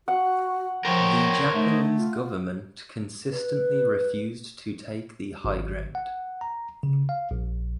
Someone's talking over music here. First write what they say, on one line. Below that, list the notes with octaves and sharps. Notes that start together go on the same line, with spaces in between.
The Japanese government consistently refused to take the high ground.
F#4 F#5
F3 A#4 C5 C#5 G5
A3 D#4
F4
B4
G#1
F#5
A#5
C#3
F5
A#1